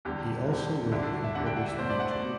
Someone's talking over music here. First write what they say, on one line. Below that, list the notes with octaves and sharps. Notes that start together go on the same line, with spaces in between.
He also wrote and published poetry.
E2 D3 G3 G4
E2 D3 G3
E2 D3 G3 E4
D4
F#4
E5
E2 D3 G3 F#5
G5
F#5
E5
B2 A3 C5
D5
F#5
D5
B2